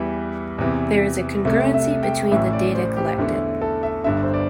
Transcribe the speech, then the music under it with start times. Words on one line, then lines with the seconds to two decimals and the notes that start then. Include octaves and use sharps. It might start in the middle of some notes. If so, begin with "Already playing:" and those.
There is a congruency between the data collected.
Already playing: E2 E3 G3 E5
0.58 E2 C3 E3
1.45 C2 C3 A3 E5
1.74 E5
2.03 G5
2.31 A1 A2 E3 A3 E5
2.53 D5
2.75 C5
2.96 G4
3.18 E2 D3 A3 E4
3.62 A4
3.83 E5
4.04 G1 G2 D3 E5
4.23 C5
4.34 D5